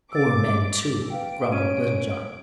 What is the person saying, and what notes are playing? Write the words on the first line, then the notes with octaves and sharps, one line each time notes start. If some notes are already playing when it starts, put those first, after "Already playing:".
"Poor men, too," grumbled Little John.
D6 E6 A6
B4 F5 G5 D7
C#4 D#7